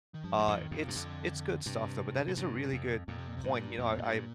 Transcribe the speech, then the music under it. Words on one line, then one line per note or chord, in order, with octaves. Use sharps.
Uh, it's it's good stuff, though, but that is a really good point, you know, I I
D#3
G2 F3
G2
F2 A2
D#3
F2 A2
G2 C3
F2 D3
G2 C3
A2
G2
F2
F2 A#2
C3
A#2
C3
G2 A#2
F2 A#2
A2
G2